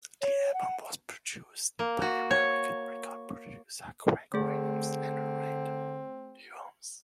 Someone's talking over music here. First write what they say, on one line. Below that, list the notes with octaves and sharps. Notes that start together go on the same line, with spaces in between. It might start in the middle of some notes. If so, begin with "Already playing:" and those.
The album was produced by American record producer Craig Williams and Reid Hyams.
C#5
F#5
A#3
F#4
C#5
D3 A3 C4 G#4